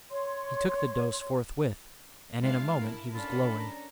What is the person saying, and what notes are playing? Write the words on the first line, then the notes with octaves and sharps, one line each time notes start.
He took the dose forthwith, and in a moment he was glowing.
C#5 C6
G#3 D4 E4 F4 F5
E4 A#4 A5
C#4 D4 F4 A4 B5
A#5